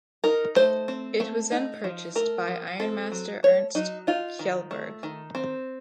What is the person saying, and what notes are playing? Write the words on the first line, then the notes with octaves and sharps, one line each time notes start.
It was then purchased by Ironmaster Ernst Kjellberg.
D#4 A#4
A3 C5
C4
A3
D#4
F3
A3 A#4
F3
C4 A4
F#3
A3 C#5
F#3 D#4
D#4 F4
D#3
A3
D#3
C4